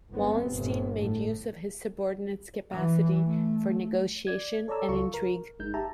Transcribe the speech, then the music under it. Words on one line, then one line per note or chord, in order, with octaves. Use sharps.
Wallenstein made use of his subordinate's capacity for negotiation and intrigue.
G1 B3 C4
G1 A#2
A2 A3
E3
A3
D5 G#6
A4 C#5 D5 A5 A#5 E6
C#2 F4 A4 C#6
A#4
G1 G#3 D#4 G6
G4 E5 A5 A#5